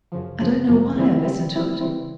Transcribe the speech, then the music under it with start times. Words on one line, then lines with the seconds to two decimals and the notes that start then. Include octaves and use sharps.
I don't know why I listened to it.
0.12 F#2 C#3 F3
0.40 F#2 C#3 F3
0.68 F#2 C#3 F3
0.96 C#3 E3 G3 C4 E4
1.24 C#3 E3 G3 C4 E4
1.53 C#3 E3 G3 C4 E4
1.81 C#3 E3 G3 C4 E4